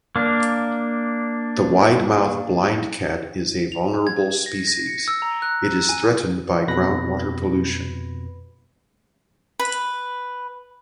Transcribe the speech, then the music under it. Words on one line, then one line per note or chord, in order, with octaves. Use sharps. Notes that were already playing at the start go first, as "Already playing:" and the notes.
The widemouth blindcat is a vulnerable species; it is threatened by groundwater pollution.
A#3 D4
F7
G#6
A#6
A#6
C#7
E6
A#5
F#6
G#5
F2 B2 B4 B5 A#6
B4 B5